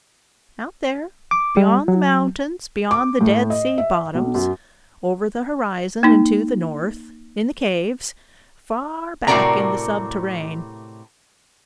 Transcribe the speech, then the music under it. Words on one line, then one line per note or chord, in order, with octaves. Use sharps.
"Out there, beyond the mountains, beyond the dead sea bottoms, over the horizon and to the north, in the caves, far back in the subterrane."
D6
G3
F#3
D6
A2
D#5
E5
B1
F#2
A#3 D#4
A2 C3 F#4 A#4 D5 A#5